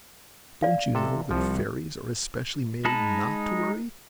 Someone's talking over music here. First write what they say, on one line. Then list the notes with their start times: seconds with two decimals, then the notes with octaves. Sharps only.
Don't you know that fairies are especially made not to worry?
0.63 D5 F5
0.95 C3 A4
1.31 C2 F3
2.85 G#3 D#4 A5 B5